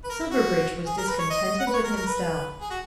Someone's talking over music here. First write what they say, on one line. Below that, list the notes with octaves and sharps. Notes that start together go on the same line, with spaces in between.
Silverbridge was discontented with himself.
B4
A#4
E4
F#4
G#4
A#4
B4
C#5
D#5
D#5
F#5
B4
C#5
A#4
A#4
B4
G#4
F#4